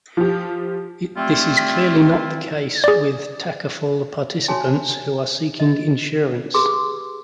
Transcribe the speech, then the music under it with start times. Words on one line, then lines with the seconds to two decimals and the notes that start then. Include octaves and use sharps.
This is clearly not the case with Takaful participants who are seeking insurance.
0.17 F3 G4
1.16 G3 A3 C4 E4 F4
2.84 G#4 D5
4.48 F#4 C#5 G#5 A5
5.60 D#5
6.54 G4 G#4 B4 C6 D6 E6